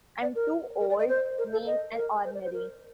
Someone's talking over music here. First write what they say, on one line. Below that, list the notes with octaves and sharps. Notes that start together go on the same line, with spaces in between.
I'm too old, mean and ornery.
D5
A#4
A#4
D5
D#5
C5
A#4
A4
D#5
A#4
C5
D5
C5
A#4